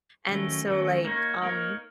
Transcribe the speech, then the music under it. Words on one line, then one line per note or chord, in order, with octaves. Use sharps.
and so, like, um
D#3 F#3 A3 C#4
D#3 F#3 A3 C#4
A#3 D#4 A#4 C#5
A#3 D#4 A#4 C#5